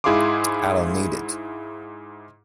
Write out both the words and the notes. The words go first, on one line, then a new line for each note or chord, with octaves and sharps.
I don't need it.
G#2 E4 G#4 F5 C6 D6